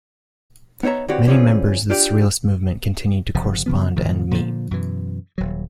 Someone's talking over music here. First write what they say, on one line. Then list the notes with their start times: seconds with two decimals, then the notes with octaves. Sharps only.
Many members of the Surrealist movement continued to correspond and meet.
0.83 B3 D#4 C#5 E5 A#5
1.08 D3 E3 C4 F#4 G4 C#5
1.26 D3 E3 C4 C#4 F4 G#4
1.90 D4 F4 G4 D5
3.35 F#1 C3 F3
3.66 C#3 F3 B3
3.96 A2 D#3 F3
4.31 A#2 D3 F3
4.71 F#2 B2 E3
5.38 D#1 F#3